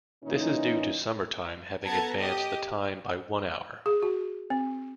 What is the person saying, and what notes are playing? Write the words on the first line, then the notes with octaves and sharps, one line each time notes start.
This is due to summer time having advanced the time by one hour.
A#2 E3 C#4 D#4
B3 A4 A5 A#5 G#6
G4 D#5 D#6
G#4
F#4
C4